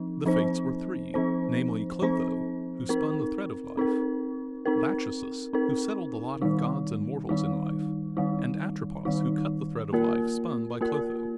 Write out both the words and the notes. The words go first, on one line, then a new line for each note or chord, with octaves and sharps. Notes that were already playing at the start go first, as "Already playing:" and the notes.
The Fates were three, namely, Clotho who spun the thread of life, Lachesis who settled the lot of gods and mortals in life, and Atropos who cut the thread of life spun by Clotho.
Already playing: F3 C4 D#4
F3 C4 D#4 C5
F3 C4 D#4 C5
F3 C4 D#4 C5
C4 D#4 A#4
C4 D#4 A#4
C4 D#4 A#4
C4 D#4 A#4
D#3 G3 D#4
D#3 G3 D#4
D#3 G3 D#4
D#3 G3 D#4
A#3 F4 A#4
A#3 F4 A#4